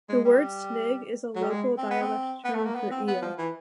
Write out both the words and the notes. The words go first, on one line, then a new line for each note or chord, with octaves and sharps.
The word snig is a local dialect term for eel.
G#3
G3
F#3
G3
G#3
C4
B3
C4
B3
A3
A#3
B3
C4
B3
F3
E3